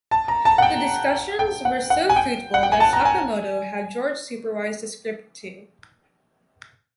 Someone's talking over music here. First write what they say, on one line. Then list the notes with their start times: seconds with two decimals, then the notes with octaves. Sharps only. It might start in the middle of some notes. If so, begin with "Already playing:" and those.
The discussions were so fruitful that Sakamoto had George supervise the script too.
0.11 A5
0.28 A#5
0.45 A5
0.58 F#5
0.62 G5
1.39 G5
1.65 F#5
1.90 F#5
2.10 G#5
2.16 G5
2.54 F#5
2.63 G5
2.72 G#5
2.80 A5
2.93 A#5
3.05 G#5